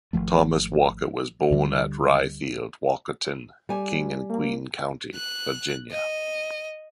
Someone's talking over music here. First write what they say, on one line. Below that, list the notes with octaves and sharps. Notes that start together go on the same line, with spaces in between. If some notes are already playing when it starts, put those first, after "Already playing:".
Thomas Walker was born at "Rye Field", Walkerton, King and Queen County, Virginia.
G#1 F2 F3 A3
D2 D3 G3
G3 G#5
A#3
F#6
D#5